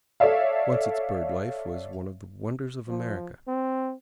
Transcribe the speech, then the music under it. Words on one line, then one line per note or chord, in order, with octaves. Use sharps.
Once its bird life was one of the wonders of America.
A4 C#5 D5 E5 F5
F3
C4